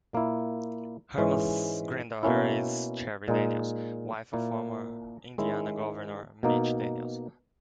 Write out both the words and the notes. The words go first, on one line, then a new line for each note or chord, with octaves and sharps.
Herman's granddaughter is Cheri Daniels, wife of former Indiana Governor Mitch Daniels.
A#2 A#3 E4
G#2 E3 G#3 C#4
B2 A#3 C#4 E4
A#2 G#3 D#4
A#2 A#3 E4
D#3 G#3 C#4 E4
B2 A#3 D#4